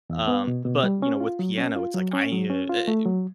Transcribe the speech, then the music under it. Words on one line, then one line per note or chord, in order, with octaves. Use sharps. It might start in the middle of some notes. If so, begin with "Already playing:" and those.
Um, but, you know, with piano, it's like I ee uh, eh,
E2
B3
B2
B2
G3
C#4
F4
F#3
C#4
F4
F#3
C#4
F#3
C#4
F4
A3
F#3